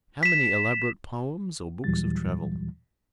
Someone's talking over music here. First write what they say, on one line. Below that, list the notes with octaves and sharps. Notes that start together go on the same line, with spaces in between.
How many elaborate poems or books of travel?
B6 E7
D#2 A#2 E3 F#3 G3 A6